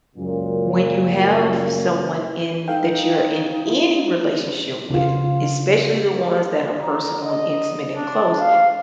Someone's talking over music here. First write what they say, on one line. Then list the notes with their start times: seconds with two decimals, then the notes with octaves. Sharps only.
When you have someone in that you're in any relationship with, especially the ones that are personal and intimate and close,
0.16 C#2 F#2 A#2
2.68 D#4 A4 F5 G5
3.66 E4 F4
4.90 C#3 F4
6.81 A#5
7.23 D#5
7.96 D4
8.40 F5